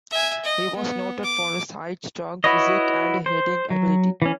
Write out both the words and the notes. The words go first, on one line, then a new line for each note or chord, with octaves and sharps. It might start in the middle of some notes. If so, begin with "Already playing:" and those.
He was noted for his height, strong physique, and heading ability.
E5 G#5
D#5
B3
D6
E4 F#4 B4 C#5 D#5
C5
F#3
E3 C#4